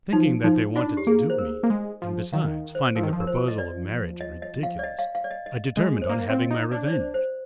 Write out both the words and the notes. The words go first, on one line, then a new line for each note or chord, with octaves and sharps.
Thinking that they wanted to dupe me, and besides, finding the proposal of marriage ridiculous, I determined on having my revenge.
F3 D#4
F3 D#4
D4 F4
G4
A#3 G#4
C5
A#4
A#3
G#3
F3
D#3 F5
C5
F3 A#4
D#3
F3
A#4
C5
D#5
D5
D#5
D#5
F5
D5
D#5
F5
F5
D5
D#5
D#5
G#3
C5
A#3 D5
C4 F5
D#5
D#4
D4 D5
D5
C5
C5